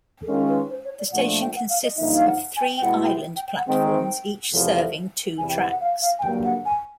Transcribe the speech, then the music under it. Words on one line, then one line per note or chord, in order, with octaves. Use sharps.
The station consists of three island platforms, each serving two tracks.
A4
D#3 G#3 C#4 F4 A#4
B4
C5
C#5
D5
A#2 F3 A3 D4 F#5
G5
F#5
F5
D#5
G2 D3 F3 A#3 D#4 E5
F5
F#5
G#5
G5
G5
B2 G#3 B3 E4 F#5
G5
G5
G5
F#5
D#3 G#3 C4 G5
E2 C3 F3 A3
E2 C3 E3 G#5
G5
F#5
F#5
F5
F5
G#5
G2 D3 F#3 A#3 G5
F#5
G#5